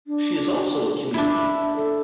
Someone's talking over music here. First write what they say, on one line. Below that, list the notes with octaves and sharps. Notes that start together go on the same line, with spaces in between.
She is also a comedian.
D4
D4 E4 E5
A4